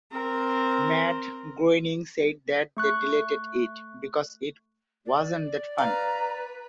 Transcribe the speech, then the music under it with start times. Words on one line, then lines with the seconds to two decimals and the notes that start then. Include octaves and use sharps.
Matt Groening said that they deleted it because it "wasn't that funny".
0.12 C4 A#4
2.77 A3 C#6 F#6
5.06 D5
5.78 B4 F5 A#5